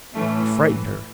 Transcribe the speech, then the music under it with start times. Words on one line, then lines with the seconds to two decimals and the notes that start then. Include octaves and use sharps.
It frightened her.
0.15 A2 E3 A3 C#4